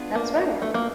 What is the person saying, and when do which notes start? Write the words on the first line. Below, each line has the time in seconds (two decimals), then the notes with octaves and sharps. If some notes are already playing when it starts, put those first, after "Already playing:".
That's right.
Already playing: B3 D4 F4 G#4 B4
0.15 A#3
0.62 A3
0.74 A#3